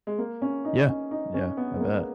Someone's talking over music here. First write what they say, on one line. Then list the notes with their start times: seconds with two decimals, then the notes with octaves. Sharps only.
Yeah. Yeah. I bet.
0.07 G#3
0.18 A#3
0.42 C#4
0.65 D#4
0.88 C#4
1.11 D#4
1.34 C#4
1.57 B3
1.76 G#3
1.80 A#3